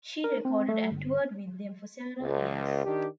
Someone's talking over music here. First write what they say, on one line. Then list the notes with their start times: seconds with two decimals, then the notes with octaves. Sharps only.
She recorded and toured with them for several years.
0.24 A#4
0.45 C4
0.69 A3
0.91 G1
2.21 C#2
2.85 D#3 D4 G4